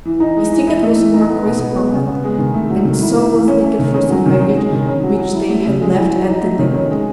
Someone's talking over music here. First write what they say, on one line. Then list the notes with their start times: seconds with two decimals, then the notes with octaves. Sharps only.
His ticket was in MacCoy's pocket, and so was the ticket for some baggage which they had left at the depot.
0.05 E3
0.20 D#4
0.36 G#3
0.52 E3
0.67 E4
0.83 A3
0.99 E3
1.14 D#4
1.29 B3
1.45 B2
1.61 B3
1.77 G#3
1.93 C#3
2.07 B3
2.24 G#3
2.38 D#3
2.54 A3
2.70 F#3
2.85 D#3
3.01 E4
3.16 A3
3.33 E3
3.48 C#4
3.63 A3
3.79 D#3
3.94 C#4
4.10 F#3
4.26 D#3
4.41 C#4
4.57 G#3
4.72 D#3
4.88 C#4
5.03 F#3
5.19 F#3
5.34 E4
5.50 A3
5.66 C#3
5.81 G#3
5.97 E3
6.12 F#3
6.28 D#4
6.43 A3
6.59 D#3
6.74 C#4
6.90 G#3